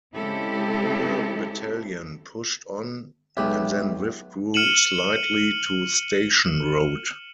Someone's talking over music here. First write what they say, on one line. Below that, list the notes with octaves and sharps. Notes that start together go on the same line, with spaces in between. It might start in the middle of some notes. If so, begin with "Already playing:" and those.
The battalion pushed on and then withdrew slightly to Station Road.
C#3 G#3 C4 E4 G4 A4
B1 G#3 G4 B4 E5
F6 C#7 D#7 E7 F#7